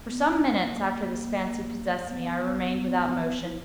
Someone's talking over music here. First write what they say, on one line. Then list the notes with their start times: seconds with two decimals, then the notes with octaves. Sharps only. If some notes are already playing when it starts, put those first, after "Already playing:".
For some minutes after this fancy possessed me, I remained without motion.
0.09 B3
0.27 C#4
0.44 B3
0.55 B3
0.63 A#3
1.99 A#3
2.08 B3
3.44 E4